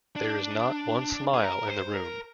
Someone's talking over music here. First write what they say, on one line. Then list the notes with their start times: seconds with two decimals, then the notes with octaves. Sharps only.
There is not one smile in the room.
0.16 D4
1.34 G#4
1.43 A#4
1.68 C5
1.94 A#4